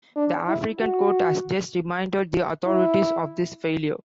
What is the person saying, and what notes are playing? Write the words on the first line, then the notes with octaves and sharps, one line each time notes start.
The African Court has just reminded the authorities of this failure.
D4
E4
F#4
E4